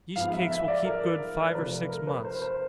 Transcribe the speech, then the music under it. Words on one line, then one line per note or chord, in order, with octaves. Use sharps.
Yeast cakes will keep good five or six months.
G#2 F3 G#3 B3 F5
E5
E5
D5
A#4
C3 F3 A3 B4
A#4
B4
C5
C5